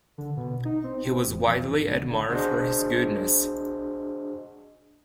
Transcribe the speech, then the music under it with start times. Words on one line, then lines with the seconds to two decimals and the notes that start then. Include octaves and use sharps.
He was widely admired for his goodness.
0.18 D3
0.37 B2
0.65 D#4
0.84 C4
1.05 C3
1.28 E1
1.47 F2
1.70 G#1
1.87 D2
2.10 D3
2.29 D4 F#4 G#4 C5 D#5